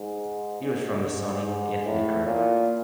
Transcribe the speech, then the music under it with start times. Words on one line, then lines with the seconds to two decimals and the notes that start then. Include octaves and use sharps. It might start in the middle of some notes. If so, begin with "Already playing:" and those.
He was from the Soninke ethnic group.
Already playing: G#2
0.61 G#2
1.43 G#2
1.85 A2
2.26 A#2